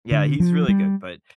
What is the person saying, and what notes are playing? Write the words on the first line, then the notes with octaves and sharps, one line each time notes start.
Yeah, he's really good, but,
D3
F3
G3